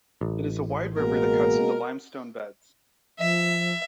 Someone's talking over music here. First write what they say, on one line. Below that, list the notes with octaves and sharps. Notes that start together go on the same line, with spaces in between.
It is a wide river that cuts into limestone beds.
A1
B2 G#3 A#3 A#4
F3 E5